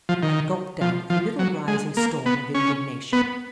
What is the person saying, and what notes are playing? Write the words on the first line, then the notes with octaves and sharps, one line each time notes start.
I gulped down a little rising storm of indignation.
F3
D#3
F3
F3
F#3
G#3
A#3
B3
C#4
B3